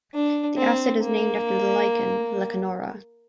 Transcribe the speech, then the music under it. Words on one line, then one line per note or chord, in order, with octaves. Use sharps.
The acid is named after the lichen "Lecanora".
D4
C4
A#3